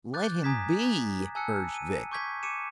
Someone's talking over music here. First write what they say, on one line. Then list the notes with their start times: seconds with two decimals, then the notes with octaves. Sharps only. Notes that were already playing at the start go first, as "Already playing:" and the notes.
"Let him be!" urged Vic.
0.14 D6 F#6 G6 A6
0.43 G#5 A#5 D#6 G#6 B6 E7
1.35 G#5 A5 E6 F#6 C#7
1.74 D#7
2.11 C#6 D6 G6 G#6 B6
2.43 D6 C#7 D#7 E7